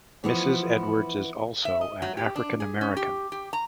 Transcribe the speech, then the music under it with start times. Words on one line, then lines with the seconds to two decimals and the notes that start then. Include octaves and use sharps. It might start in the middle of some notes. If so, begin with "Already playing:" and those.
Mrs. Edwards is also an African American.
0.24 E3 F3 B3 E4
1.65 E5
1.81 D#5
2.02 F#3
2.17 G4
2.36 D4
2.60 G#4
2.81 C#4
2.97 G4
3.32 G4
3.53 A#5